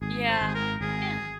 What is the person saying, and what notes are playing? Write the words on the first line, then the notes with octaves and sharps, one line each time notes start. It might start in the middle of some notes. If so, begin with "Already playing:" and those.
Yeah, yeah.
G#1 G#4
C5
G#1
G#4
A#4
G#1 G#4